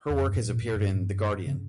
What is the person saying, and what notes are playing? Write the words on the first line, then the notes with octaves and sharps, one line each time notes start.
Her work has appeared in the "Guardian".
E2
F2
G2
A2
A#2
A2
G2
C#3